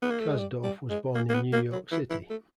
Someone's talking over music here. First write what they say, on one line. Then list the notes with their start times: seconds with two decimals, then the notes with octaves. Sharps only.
Kasdorf was born in New York City.
0.02 B3
0.11 A#3
0.20 A3
0.28 G#3
0.38 G3
0.64 G3
0.90 G#3
1.15 A#3
1.29 A#3
1.34 B3
1.53 A#3
1.72 F#3
1.92 E3
2.10 E3
2.30 A3